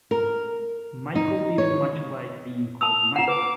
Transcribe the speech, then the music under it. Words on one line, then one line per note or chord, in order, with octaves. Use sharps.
Michael didn't much like being called Mike.
A#4
D#4
C#5
A5 D#6 E6 F7
F4 F#5 E7
B4 D6